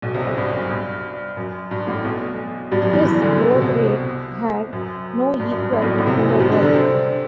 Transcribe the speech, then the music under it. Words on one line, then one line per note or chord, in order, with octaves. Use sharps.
This growth rate had no equal in the world.
B1 B2
C2 C3
B1 B2
G2
F#2
G2
F#2
G2
A1 A2
B1 B2
G2 G3
F#2 F#3
E2 E3
E2 E3
D2 D3
C3
B2
C2 C3
F#2
G2
F#2
G2
A1 A2
B1 B2
G2
A1 A2
C2 C3
E2 E3
F#2 F#3
G2 G3
D3 D4
D3 D4
C3 C4